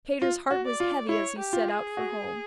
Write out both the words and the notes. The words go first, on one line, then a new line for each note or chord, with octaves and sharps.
Peter's heart was heavy as he set out for home.
F4
F#4
D5
F4
E4 C#5
G4
F4
G#4
F#4